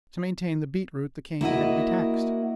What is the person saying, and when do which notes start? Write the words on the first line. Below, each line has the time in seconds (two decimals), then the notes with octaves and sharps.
To maintain the beet-root, the cane had to be taxed.
1.41 A#3 E4 F#4 D#5